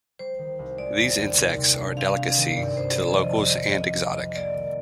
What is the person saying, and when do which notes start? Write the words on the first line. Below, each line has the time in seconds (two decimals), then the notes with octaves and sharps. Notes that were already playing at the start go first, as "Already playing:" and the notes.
These insects are a delicacy to the locals and exotic.
0.19 G3 C5
0.39 D#3
0.59 C2
0.78 G#3 D5
0.98 D#2
1.18 D#2
1.38 C3
1.58 C3
1.78 D4
1.97 C4 F5
2.18 C4
2.37 D#3
2.57 G2 D5
2.77 G2 C5
2.96 F3 D5
3.16 F2 D#5
3.36 F2
3.56 F2
3.76 C2 D#5
3.95 C2
4.16 C2
4.35 A#3 D5
4.55 D#3